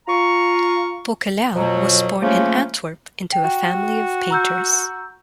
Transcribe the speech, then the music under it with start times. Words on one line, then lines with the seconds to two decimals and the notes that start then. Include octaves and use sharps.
Beuckelaer was born in Antwerp into a family of painters.
0.08 F4 A#5 C#6
1.55 F2 B2 F#3
2.22 C#3 F3 F#3 A3 A#3 C#4
3.32 G5
3.45 F#4
4.31 A#5 E6 G6